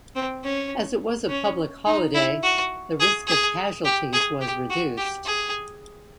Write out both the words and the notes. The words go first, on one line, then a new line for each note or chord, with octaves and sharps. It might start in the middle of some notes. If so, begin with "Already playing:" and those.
As it was a public holiday, the risk of casualties was reduced.
C4
C#4
C#4
D#4
E4
F#4
G#4
G#4
G4
G#4
G4
F#4
G4
G#4